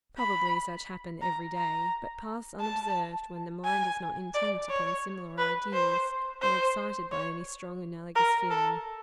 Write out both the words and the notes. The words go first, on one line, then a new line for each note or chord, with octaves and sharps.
Probably such happen every day, but pass unobserved when the mind is not intent upon similar ideas, or excited by any strong analogous feeling.
B5
A#5
A#5
A5
G#5
D5
C#5
B4
C5
C5
C#5
A#4
A4